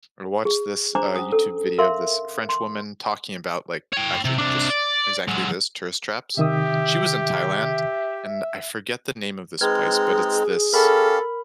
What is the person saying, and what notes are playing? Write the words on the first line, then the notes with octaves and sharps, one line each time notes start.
I watched this, uh, YouTube video of this French woman talking about, like- actually, just exactly this- tourist traps. She was in Thailand, and I forget the name of this place, but it's this,
G#4
D4 C5 G#5 A#5 D6
C#4 D#6
A4
A#4 E5 F5 C6
C6
C#5 G5
C3
C3 D4
D5
F#3 G#3
C3 D#3 G4 E5 D#6
G#3 C4 D#4 G#4 B4 F6 G#6
C#4 G4 A4 A#4 F5 B5